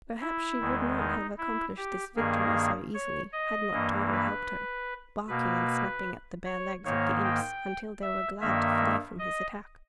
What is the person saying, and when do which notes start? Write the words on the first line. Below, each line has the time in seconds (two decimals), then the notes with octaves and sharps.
Perhaps she would not have accomplished this victory so easily had not Toto helped her, barking and snapping at the bare legs of the imps until they were glad to flee from his attack.
0.21 E4
0.59 E2 D#3 G#3
0.99 D#4
1.38 E4
1.77 G4
2.16 G2 D#3 A#3 G#4
2.94 C#5
3.33 D#5
3.72 G2 E3 A#3
4.12 B4
5.28 B2 A#3 B4
6.45 C#5
6.85 G#2 D#3 A#3 C#5
7.24 G5
8.02 E5
8.41 G2 D#3 A#3 E5
9.19 D#5